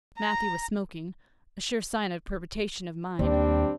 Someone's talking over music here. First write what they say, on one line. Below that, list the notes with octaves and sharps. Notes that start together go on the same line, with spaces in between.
Matthew was smoking--a sure sign of perturbation of mind.
A#5
D#2 G3 C4 D4